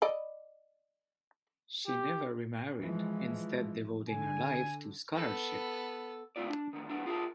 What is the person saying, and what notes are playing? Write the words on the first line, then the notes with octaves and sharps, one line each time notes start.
She never remarried, instead devoting her life to scholarship.
D5 D#5 B5
G4
E3 F3 G#3
D3 G#5
B3 A4
C#3 A3 C4 E4 F4 D5
D4
A2 D3 D#3
B2 F#3 B3 D4 E4
F4 G#4 A#4 C5 E5 A5